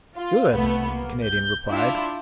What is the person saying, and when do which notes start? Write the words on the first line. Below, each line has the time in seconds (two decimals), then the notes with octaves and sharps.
"Good!" the Canadian replied.
0.16 F4
0.52 C2 A3 B3
0.92 A#3
1.27 G6
1.67 D4 E4 F4